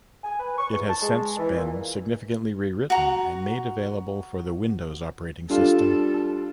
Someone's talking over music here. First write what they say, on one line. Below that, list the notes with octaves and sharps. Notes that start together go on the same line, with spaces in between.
It has since been significantly rewritten and made available for the Windows operating system.
G#5
B4
C#6
E2
A5
G#3
E3
A#2
F#4 A#5
G3 D4 F4 A4